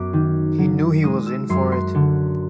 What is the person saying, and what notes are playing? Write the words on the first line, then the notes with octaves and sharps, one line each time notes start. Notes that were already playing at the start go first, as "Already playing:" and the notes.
He knew he was in for it.
Already playing: F#2 B3 D6
D#3
F#3
G#3 D#6
E6
F#2 C6
C6
D3